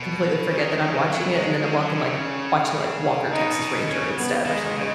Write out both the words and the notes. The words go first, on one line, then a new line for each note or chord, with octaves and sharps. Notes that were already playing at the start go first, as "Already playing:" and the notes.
completely forget that I'm watching it and then I'm walking like watching like Walker, Texas Ranger instead or something,
Already playing: B2
B3
D#3 C#4
D#3
D#3 C#4
C#3
F#3 C#4
B3
G#3 D#4
G#3 C#4
F#3
C#3
C#3
C#4
B2 D#4
B2
C#3 C#4
B3
D#3 G#3
C#3